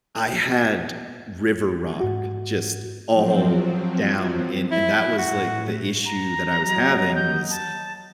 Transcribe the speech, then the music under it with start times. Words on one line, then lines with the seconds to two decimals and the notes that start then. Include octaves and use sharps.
I had river rock just all down in And that was, like, the issue that I was having was
2.01 G#2 F#4
3.11 F3 F#3 C4
4.71 E4
5.18 A2 F#4
6.06 A#5
6.61 F#3 D#5
7.15 G6
7.50 A5